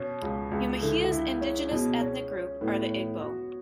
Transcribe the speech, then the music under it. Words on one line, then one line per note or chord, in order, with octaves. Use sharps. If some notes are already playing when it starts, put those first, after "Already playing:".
Umuahia's indigenous ethnic group are the Igbo.
Already playing: B2 C#4
C#2
C#2
D3 E4
E4
C#4
B2 G#4
C#4
C#4
A2 B3
C#5
F#4